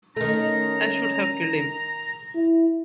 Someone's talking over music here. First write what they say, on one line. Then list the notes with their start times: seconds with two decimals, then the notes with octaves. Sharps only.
I should have killed him!
0.17 D#3 A3 C#4 A#5
2.35 E4